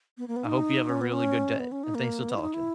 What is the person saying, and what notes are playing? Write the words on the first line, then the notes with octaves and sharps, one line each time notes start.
I hope you have a really good day, and thanks for talking.
B3
A#3
B3
D#4
C#4
B3
C#4
B3
C#4
D#4
A#3
B3
E4
D#4
E4